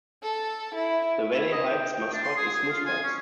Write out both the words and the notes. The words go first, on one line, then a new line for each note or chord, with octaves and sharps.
The Valley Heights mascot is Mustangs.
A4
E4
E4
D#5
G5
G5
D4
C6
G#4
G#4
F4
G#5
C#4